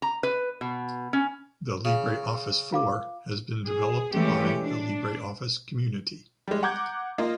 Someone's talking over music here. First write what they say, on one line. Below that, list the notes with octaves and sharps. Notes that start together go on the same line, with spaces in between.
The LibreOffice four has been developed by the LibreOffice community.
A#5
B4
B2
C#4
C#3
F4 F5 D6
G#4
E3 G#3 A3 C#4 G4
D4
G3 G#3
F#5 A#5 D6 G6 G#6
A#3 F4 D#5